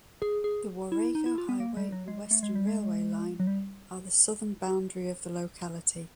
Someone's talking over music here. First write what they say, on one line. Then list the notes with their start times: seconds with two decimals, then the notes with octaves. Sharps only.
The Warrego Highway and Western railway line are the southern boundary of the locality.
0.22 G#4
0.44 G#4
0.92 E4
1.15 D#4
1.26 E4
1.38 F4
1.49 B3
1.60 A#3
1.77 G3
1.92 F#3
2.08 G#3
2.31 A3
2.43 G#3
2.56 G3
2.67 G#3
3.40 F#3
3.47 G3